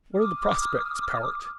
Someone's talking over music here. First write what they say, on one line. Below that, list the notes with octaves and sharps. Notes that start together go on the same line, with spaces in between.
"What are the prospects, Powart?"
D6 D#6 F6